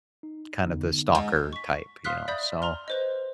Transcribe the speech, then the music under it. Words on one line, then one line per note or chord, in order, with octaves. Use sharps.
kind of the stalker type, you know? So,
D#4
D3 B3 D#4
G#2 D#5 A#5
C#6 B6
F5 C6 D#6 F6 F#6 B6
D5 E5 B5 D#6 G6
A#5 C6 F6
B4 C5 D#5